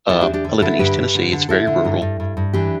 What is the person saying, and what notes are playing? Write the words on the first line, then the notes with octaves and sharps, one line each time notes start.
um, I live in East Tennessee, it's very rural
E2 E4 A4
D4 G4
E2
D4 G4
D3
D3 E4 A4
G2 G4 B4
G2
D3
D3
D3 E4 A4
D3
G2
G2
G2
G2
E3 D4 G4